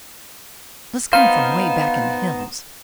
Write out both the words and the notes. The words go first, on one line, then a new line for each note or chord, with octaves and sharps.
"Must come from way back in the hills."
B3 D#4 C5 F5